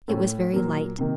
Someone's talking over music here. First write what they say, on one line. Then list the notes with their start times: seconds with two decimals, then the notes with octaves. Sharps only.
It was very light.
0.08 A2 A3 C#4 A4 C#5
0.54 A#2 F#3 A#3
0.98 C3 D#3 A#3